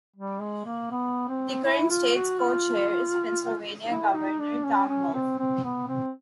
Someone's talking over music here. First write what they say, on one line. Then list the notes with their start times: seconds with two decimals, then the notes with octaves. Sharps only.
The current States' Co-Chair is Pennsylvania Governor Tom Wolf.
0.16 G3
0.40 G#3
0.65 A#3
0.91 B3
1.28 C4
1.65 E4
1.90 F4
2.15 F#4
2.40 F4
3.90 E4
4.15 D#4
4.39 D4
4.64 C#4
4.88 C#4
5.13 C4
5.39 C4
5.64 B3
5.88 C4